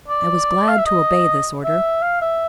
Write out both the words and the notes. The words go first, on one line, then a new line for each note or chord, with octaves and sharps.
I was glad to obey this order.
D5
F5
E5
D#5
E5
F5
E5